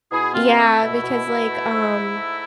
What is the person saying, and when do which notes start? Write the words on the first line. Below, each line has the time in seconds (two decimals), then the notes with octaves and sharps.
Yeah, because, like, um,
0.11 B2 E4 G#4
0.23 E4
0.33 C4 F4
0.57 A3 E4
0.80 B2
1.02 B2
1.25 B2
1.48 A3
1.71 G#2
1.93 G#2
2.15 A3